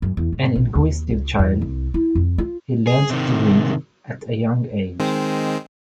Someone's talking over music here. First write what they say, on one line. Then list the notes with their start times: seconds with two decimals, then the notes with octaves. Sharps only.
An inquisitive child, he learned to read at a young age.
0.02 F#2
0.17 E2
0.32 G#2
0.55 A#1
0.75 D#2
1.10 C#2
1.39 E2
1.62 C2
1.94 E4
2.15 F2
2.38 F4
2.87 G#4
3.10 C3 D#3
5.00 D#3 G#3 C4